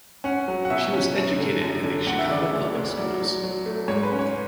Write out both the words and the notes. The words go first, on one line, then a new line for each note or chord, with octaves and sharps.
She was educated in the Chicago Public Schools.
C#4 F#5
F#3
F#5
B2 E5
C#4
F#2
D3
F#2
D3
D2 F#5
E5
C#3 D5
E5
D2
D2
F#3 D5
F#3
F#3
A3
G#2 C#5
B4
C#4
C#5